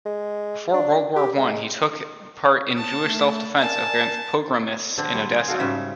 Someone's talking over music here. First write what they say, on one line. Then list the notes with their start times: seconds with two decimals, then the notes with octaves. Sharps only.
Before World War One he took part in Jewish self-defense against pogromists in Odessa.
0.06 G#3
0.73 D4
1.16 G4
1.37 G#3
2.76 A5
3.05 A3
3.61 A#4 D5 G#5 A5
4.98 D3 C4 D4
5.14 G3
5.32 G#4
5.48 D#4 F#4 A4 F5
5.59 G#2 C#3 G3 E5